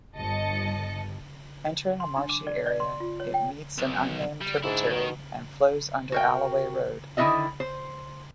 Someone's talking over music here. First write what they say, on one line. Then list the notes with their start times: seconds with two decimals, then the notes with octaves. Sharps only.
Entering a marshy area, it meets an unnamed tributary and flows under Alloway Road.
0.16 G1 D#5 A5 C#7
2.00 C6
2.17 D4
2.29 D6
2.47 D5
2.66 D5
2.80 C6
3.00 F4
3.20 C#5
3.34 G5
3.78 B1
4.42 G3
4.64 G#2 D4 E4
4.89 B2 D#3
6.12 F#4 A#4 G5
7.17 D3 D#3 E4 F#4 D#5 E5
7.60 C5